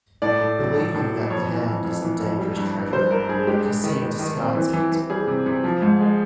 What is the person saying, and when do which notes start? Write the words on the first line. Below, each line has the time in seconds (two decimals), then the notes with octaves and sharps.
Believing that the hand is the dangerous treasure, Cassim discards it.
0.22 A2 D5
0.40 A2
0.58 F#3
0.76 A2
0.94 A2
1.13 F#3
1.30 F2 C#5
1.49 E3
1.66 F2
1.84 F2
2.02 E3
2.21 F2
2.38 G3
2.57 G2
2.75 G2
2.92 G3 C5
3.11 G2 A#4
3.29 G2 G#4
3.47 G#3 G4
3.65 G#3
3.84 D#3
4.02 D#3
4.19 D#3
4.37 C4
4.55 E3
4.73 E3
4.92 E3
5.10 G3 G#4
5.27 C3
5.46 C3
5.64 F3
5.82 G#2
6.00 G#3